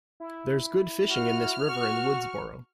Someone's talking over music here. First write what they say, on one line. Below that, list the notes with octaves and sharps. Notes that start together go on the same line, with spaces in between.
There's good fishing in this river in Woodsboro.
E4
F#4 F6
F#4 C#6